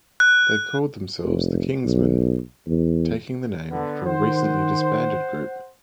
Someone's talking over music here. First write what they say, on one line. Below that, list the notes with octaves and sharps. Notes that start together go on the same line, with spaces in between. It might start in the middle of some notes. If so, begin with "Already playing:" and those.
They called themselves the Kingsmen, taking the name from a recently disbanded group.
F#6
F1
B1
E2
D3 B3
D#3 C5 F#5